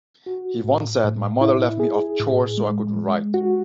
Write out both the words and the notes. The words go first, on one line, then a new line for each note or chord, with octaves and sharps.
He once said, My mother left me off chores so I could write.
F#4
A2
A2
E4
G#4
A2
G#3
G#3
F#4